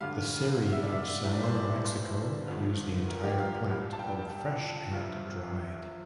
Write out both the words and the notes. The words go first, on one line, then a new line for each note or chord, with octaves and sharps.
The Seri of Sonora, Mexico use the entire plant both fresh and dried.
D2 D3 G3 F5
F5
E5
D5
E5
F1 E2 E3 G3 E5
D5
C5
D5
C5
G1 F2 D3
A#4
G4
F5
C2 A#2 G3
A5
G5
G1 F2 C3 F5